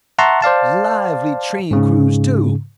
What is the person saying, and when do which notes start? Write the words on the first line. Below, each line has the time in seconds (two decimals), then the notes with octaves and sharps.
Lively train crews, too.
0.18 E5 F#5 A5 A#5 C6 C#6
0.42 C5 D5 F5 A5
1.71 G#2 C#3